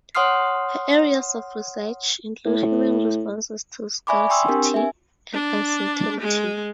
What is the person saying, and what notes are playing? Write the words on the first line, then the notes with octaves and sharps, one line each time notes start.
Her areas of research include human responses to scarcity and uncertainty.
C#5 F#5 C6 D#6 F6 C7
A2
D5 E5 G#5 B5 C#6 D6
G5 G#5 C6 C#6 D#6 E6
C4 D4 G4 A#4
E5 G#5
D4
G#3